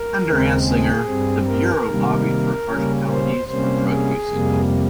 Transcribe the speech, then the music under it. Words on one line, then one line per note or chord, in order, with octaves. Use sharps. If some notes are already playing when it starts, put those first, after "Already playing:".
Under Anslinger, the bureau lobbied for harsh penalties for drug usage.
Already playing: A#4
D#2 C#3 G#3 C4
G#4
G2 G3 C4
A#4
C3 D#3 G3 A#3
C#3 G3 A#3 C#4
C5
C3 G3 A#3 C#4 C5
G#4
F2 C3 G3 A#3